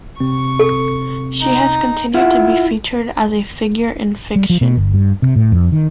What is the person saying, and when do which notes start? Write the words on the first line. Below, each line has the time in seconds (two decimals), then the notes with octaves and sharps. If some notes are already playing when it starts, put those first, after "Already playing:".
She has continued to be featured as a figure in fiction.
0.20 C3 C4 C#6
0.59 A4
1.41 D#4
2.14 E4 F4 E5 F#5
4.36 G3
4.50 F3
4.61 B2
4.77 G1
4.94 G2
5.22 C3
5.36 A2
5.52 F2
5.72 D#3